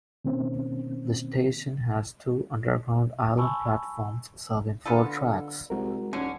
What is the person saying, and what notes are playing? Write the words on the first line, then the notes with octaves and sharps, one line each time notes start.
The station has two underground island platforms serving four tracks.
B2 D#3 A#3 C4 C#4
G#5 A5 B5 C#6 E6
D3 B3 F4 A4
C2 G#3 F#4 A#4
D#1 D3 C#4